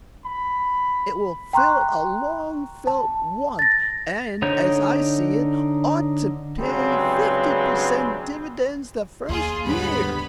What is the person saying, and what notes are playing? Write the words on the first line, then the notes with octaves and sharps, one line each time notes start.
It will fill a long felt want, and, as I see it, ought to pay fifty percent dividends the first year.
B5
G5 A#5 C6 C#6 F#6
A5
A6 A#6
D3 D#4 C#5 G6
G2 C#3 F#3 G#3 B3 C4
D#2 F4 G#4 C6
G#2 D3 G3 G#3 B3 B4 C#5 B5